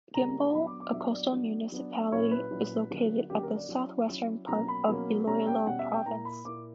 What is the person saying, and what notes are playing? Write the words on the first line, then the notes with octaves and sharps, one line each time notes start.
Guimbal, a coastal municipality, is located at the south-western part of Iloilo province.
C#3 G3 A#3 A#5
F#3 B3 D4 B5
D6
D6
F#3 B3 D4 E5
D5
F#3 B3 D4
F#3 B3 D4
A#2 F#3 C#4 E4 C#5
B4
A#2 F#3 C#4 E4
D3 F#3 A#3 C#4
D3 F#3 A#3 C#4 G4
A#4
D5
F#3 C#4 E4
F#3 C#4 E4
B2 F#3 A#3 C#4 A#5
B5
B2 F#3 A#3 C#4
B2 G3 C#4 A#5
G5
B2 G3 C#4 F#5
E5
G5
A#2 A#3 E4 A#5
B5
A#2 A#3 E4 D6